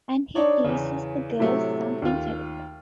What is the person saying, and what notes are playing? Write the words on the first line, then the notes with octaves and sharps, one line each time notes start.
And he teases the girls something terrible.
D4 D#4 C#5 D5
E2 C#3
A2 C3 F#3 A3
D#2 F4